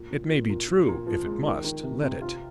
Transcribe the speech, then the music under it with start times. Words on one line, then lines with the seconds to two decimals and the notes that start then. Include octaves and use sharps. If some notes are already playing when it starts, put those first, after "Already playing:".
It may be true; if it must, let it.
Already playing: A#2
0.11 A#2
0.30 A#2
0.49 A#2
0.68 A#2
0.88 A#2
1.07 F3
1.26 G#3
1.46 D#3
1.64 D#3
1.83 C3
2.03 C3
2.22 F4